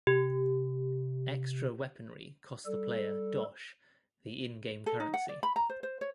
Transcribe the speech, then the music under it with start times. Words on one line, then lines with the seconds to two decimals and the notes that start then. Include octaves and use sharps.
Extra weaponry costs the player "dosh", the in-game currency.
0.07 C3 G4
2.66 G3 A4
4.86 A4
5.00 D#4
5.14 F#5
5.29 D5
5.43 B5
5.56 A#5
5.69 C5
5.83 C5
6.01 C#5